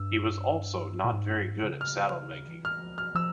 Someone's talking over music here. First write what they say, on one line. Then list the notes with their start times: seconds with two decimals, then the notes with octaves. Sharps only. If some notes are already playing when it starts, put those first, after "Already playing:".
He was also not very good at saddle making.
Already playing: G2 E6
1.04 A#2
1.13 G#2
1.30 G2
1.46 G#2
1.63 C#3
1.81 F6
2.48 E3
2.65 F6
2.82 F3
2.98 F6
3.15 F3 E6